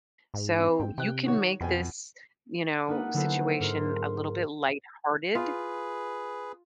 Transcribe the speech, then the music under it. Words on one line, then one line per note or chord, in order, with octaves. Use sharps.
So, you can make this, you know, situation a little bit lighthearted,
G#2
C4
G#2 G5
C3 G5 F#6
D#3 F#4 C#5
F2 B2 G5 G#5
A#3 D4 D#4 B4 F#5
D3 F#3 B3 E4 A4 C5
G#2 A#4 C6
F4 G#4 B4